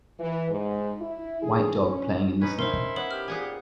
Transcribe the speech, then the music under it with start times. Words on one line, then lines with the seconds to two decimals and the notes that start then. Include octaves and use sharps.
White dog playing in the snow.
0.19 E3
0.50 G#2
1.01 E4
1.42 G#4
1.80 C#4
2.41 C#4 D#4 B4
2.59 E4 A#4 C5 C6
2.96 B3 C#5 F#7
3.11 G4 F6
3.28 A#2 G#4 F#5 G#5